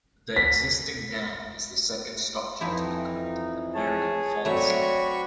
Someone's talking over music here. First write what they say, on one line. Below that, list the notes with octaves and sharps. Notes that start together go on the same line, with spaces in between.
The existing dam is the second structure to be called the American Falls Dam.
B6
F2 E3 F3 C4 D#4 E4
G#4 C#5 A5
F#3 A3 C4 F#4 C#5 D5 B5 C#6